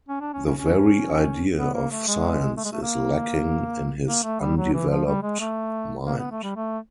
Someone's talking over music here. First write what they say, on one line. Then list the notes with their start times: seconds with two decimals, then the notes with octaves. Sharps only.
The very idea of science is lacking in his undeveloped mind.
0.09 C#4
0.21 D4
0.33 C#4
0.46 C#4
0.58 C#4
1.58 B3
1.74 A#3
1.91 A3
2.07 G#3
2.57 A3
2.65 G#3
2.72 A3
2.82 A#3
4.07 A#3
4.23 A3
4.40 G3
4.57 F#3
4.73 E3
4.90 F3
5.06 G3
5.23 G#3
5.40 A3
6.06 A#3
6.18 B3
6.31 A3
6.43 G3
6.56 A3